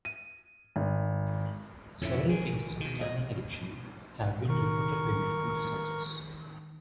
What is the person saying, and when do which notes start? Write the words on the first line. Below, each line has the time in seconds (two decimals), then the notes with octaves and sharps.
Several cases of tanning addiction have been reported by medical researchers.
0.05 D#7
0.76 G#1
2.01 F2 A2 D3 C#4 E4
2.29 D#3 G#4
2.80 B2 D#3
3.01 D#5
4.49 D#3 A#4 C#6